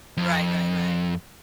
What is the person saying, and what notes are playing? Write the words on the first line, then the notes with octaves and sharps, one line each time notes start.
Right, right, right.
F2